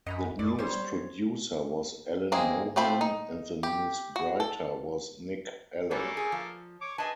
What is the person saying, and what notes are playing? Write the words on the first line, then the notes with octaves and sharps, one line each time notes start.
The news producer was Alan Mohan, and the news writer was Nick Allen.
F#2 D#5 A#5 B5
F#2 D5
G3 C5 C#5 C6
G#3 A#3 C4 G#4
F3 A3 C4 C5 B5
D#4
G4
F#4
A4
F#3 G3 A3 A#3 C#4 A4
G#4
F3
C#5 D6
G#4 B4 D#5 G#5 A5